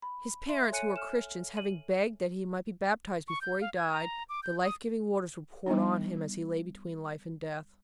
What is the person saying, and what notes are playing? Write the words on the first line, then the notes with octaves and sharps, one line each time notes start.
His parents, who were Christians, having begged that he might be baptized before he died, the life-giving waters were poured on him as he lay between life and death.
B5
E5 C6
A4 C#5 G#5 F#6 C#7 D#7
F6 E7
D#7 F#7
C#6
G6
F5
G#6
A#5
D6
G6
D#6
G3 B3 D4 D#4